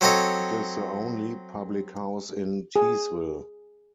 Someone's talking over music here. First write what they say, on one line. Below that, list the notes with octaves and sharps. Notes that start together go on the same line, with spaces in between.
It is the only public house in Teesville.
F#3 C4 A4 C#5 D#5
G#4